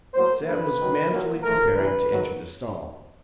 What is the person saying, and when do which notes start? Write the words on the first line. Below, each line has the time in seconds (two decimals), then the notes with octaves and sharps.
Sam was manfully preparing to enter the stall.
0.14 A2 F#3 A#3 C5
0.47 G2 D3 F3 A#3 B4
0.80 G#2 D#3 F#3
1.11 A#2 F#3 A#3
1.43 G#2 F3 A3 A#4
1.76 C3 E3 G3 B4
2.08 G#2 D#3 F#3 A#3